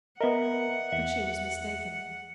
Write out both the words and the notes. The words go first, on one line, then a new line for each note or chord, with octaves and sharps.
But she was mistaken.
B3 A#4 D#5 E5 F#5
E2 E5